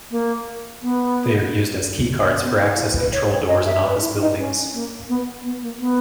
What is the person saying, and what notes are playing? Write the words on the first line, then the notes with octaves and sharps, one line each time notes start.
They are used as keycards for access control doors in office buildings.
A#3
B3
A#3
B3
D#4
E4
B4
C#5
C#5
D#5
E5
B4
E4
D#4
C#4
A#3
B3
B3
A#3
B3